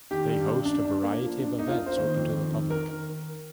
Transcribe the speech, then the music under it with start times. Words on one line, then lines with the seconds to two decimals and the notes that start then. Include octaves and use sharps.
They host a variety of events open to the public.
0.11 D#3 G4
0.28 G2
0.47 D4
0.65 D4
0.85 D4
1.03 A#3
1.21 F3
1.40 D4
1.58 A#3 D#4
1.68 F4
1.77 A#3
1.86 C5
1.96 D#3
2.14 F2
2.33 D#3
2.51 D#3
2.70 D#3 A#4